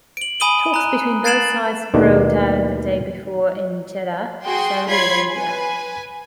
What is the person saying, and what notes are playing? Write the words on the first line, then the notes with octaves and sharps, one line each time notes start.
Talks between both sides broke down the day before in Jeddah, Saudi Arabia.
D7 F#7
G#5 B5 D#6 D#7 F#7 G7
A#5 F#6
F#6 A6 C7 D7 E7 F#7
D#2 B2 D#3 A3 D4
F#4 G#4 G5 C6
F4 C#5 B5 C6 G#6 C7
B4 G#5